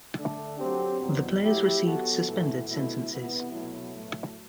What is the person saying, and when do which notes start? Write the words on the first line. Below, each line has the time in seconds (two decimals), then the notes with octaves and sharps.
The players received suspended sentences.
0.17 D3 A3 D4 A4
0.59 F#3 C4 G4
1.01 E2 B2 F#3
1.42 F#3 A3 E4 G4
1.84 F#3 B3 F#4 A4
2.26 A2 E3 A3
2.68 B2 A3 E4
3.10 C3 E3 B3
3.52 B2 F#3 A3 E4
3.94 A2 F#3 A3